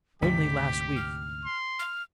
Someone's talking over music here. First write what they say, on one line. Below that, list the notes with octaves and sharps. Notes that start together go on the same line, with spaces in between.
Only last week!
D2 G#2 C3 G4 B6
F6
C6
F6